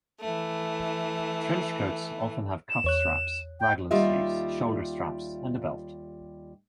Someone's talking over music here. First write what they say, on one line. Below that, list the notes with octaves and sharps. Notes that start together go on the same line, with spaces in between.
Trench coats often have cuff straps, raglan sleeves, shoulder straps and a belt.
E3 A3
E7
E2 C#5 F#6
G5
D#2 G3 F4 G4 D#5 E5